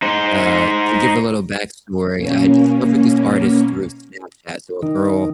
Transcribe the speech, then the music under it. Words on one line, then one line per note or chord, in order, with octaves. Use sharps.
uh, to give a little backstory, I had discovered this artist through Snapchat. So a girl,
D#4 C5
B2 A#3 C#4
D#3